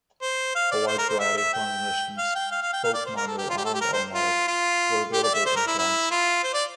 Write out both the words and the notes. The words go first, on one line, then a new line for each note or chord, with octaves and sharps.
A wide variety of transmissions, both manual and automatic, were available in Champs.
C5
F5
D5
C5
A#4
C5
E5
E5
G5
F5
G5
F5
F5
G5
F5
D5
C5
A#4
A4
G4
F4
G4
A4
G4
A#4
C5
F4
F4
G4
D5
E5
C5
A#4
E4
E4
F4
C5
D5